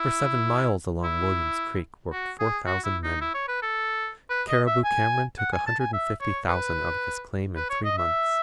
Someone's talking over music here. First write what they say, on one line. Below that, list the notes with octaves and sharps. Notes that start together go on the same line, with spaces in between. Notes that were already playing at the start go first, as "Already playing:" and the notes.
For seven miles along William's Creek worked four thousand men. Cariboo Cameron took a hundred and fifty thousand out of his claim in three months.
Already playing: E4
E4
F#4
G#4
F#4
E4
D#4
E4
C#5
B4
A4
B4
D#5
E5
G#5
F#5
G#5
A5
G#5
E5
C#5
B4
B4
C#5
D#5
E5